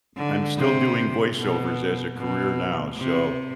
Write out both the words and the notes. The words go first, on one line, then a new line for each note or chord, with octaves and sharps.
I'm still doing voiceovers as a career now. So,
D3
C3
B2
B2
C3